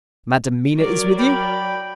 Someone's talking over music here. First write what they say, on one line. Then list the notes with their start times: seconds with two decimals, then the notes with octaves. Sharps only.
Madam Mina is with you?
0.76 F#3 A#4 D5
1.19 G5 B5